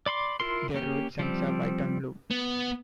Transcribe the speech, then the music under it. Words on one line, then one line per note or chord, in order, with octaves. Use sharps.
Their road signs are white on blue.
D5 B5 C6 D6
E4 F4 A#4 C6
A#3 C#4 G4
F3 G3 C4
B3